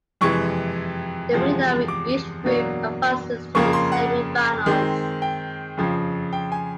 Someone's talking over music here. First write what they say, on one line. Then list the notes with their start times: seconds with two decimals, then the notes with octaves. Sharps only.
The winner of each group advances to the semi-finals.
0.21 F2 C3 E3 G#3 C#6
1.32 E2 C3 F3 G#3
1.88 D6
2.44 E2 B2 F#3 A#3 D4
3.55 F2 C#3 F3 A#3 C#6
3.73 C6
3.92 F#5
4.66 D#3 G#3 C4
5.22 G5
5.77 F2 C#3 F3
6.33 G5
6.52 G#5